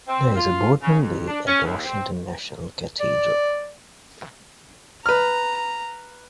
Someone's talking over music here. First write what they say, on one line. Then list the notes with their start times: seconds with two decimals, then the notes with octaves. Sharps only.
There is a Boardman bay at the Washington National Cathedral.
0.07 C4
0.36 F4
0.82 C#3
1.00 F2
1.28 D4
1.47 C#4
1.63 D#2
1.85 C4
3.00 D5
5.06 B4 A#5 F6